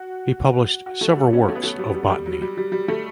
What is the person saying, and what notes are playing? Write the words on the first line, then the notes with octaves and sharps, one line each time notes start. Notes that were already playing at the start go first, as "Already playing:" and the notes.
He published several works of botany.
Already playing: F#4
F#4
A3
G3
C#4
A3
B3
A3
G3
G3
G3
F#3
G3
G3
G3
A3